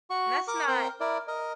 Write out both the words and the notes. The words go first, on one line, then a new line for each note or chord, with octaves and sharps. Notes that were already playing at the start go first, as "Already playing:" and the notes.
And that's not
F#4 C#6
A#4 D6
C4 A#4 G5
E4 A#4 D5
A#4 D#5